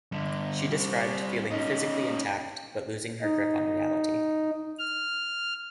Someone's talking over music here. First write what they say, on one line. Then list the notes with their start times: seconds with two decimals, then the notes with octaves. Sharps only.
She described feeling physically intact but losing her grip on reality.
0.12 G2 D3
0.70 G3 C4
1.51 C#4 D#4
3.21 D#4
4.79 F6